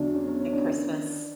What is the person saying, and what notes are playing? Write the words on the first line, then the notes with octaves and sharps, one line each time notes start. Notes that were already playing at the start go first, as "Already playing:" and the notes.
At Christmas.
Already playing: E2 D3 F#3 D4
C#4
C#4
C#4
D4